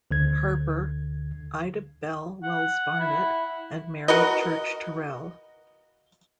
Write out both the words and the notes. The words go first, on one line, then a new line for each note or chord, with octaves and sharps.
Harper, Ida Bell Wells-Barnett, and Mary Church Terrell.
D2 D3 G#6
F#5
E4
F#4 A#4 B4 D#5